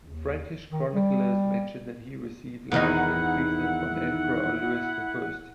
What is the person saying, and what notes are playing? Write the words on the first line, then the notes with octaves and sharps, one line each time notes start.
Frankish chroniclers mention that he received lands in Friesland from Emperor Louis the First.
D#2
D#3
G3
E2 D#3 D#4 E4 F#5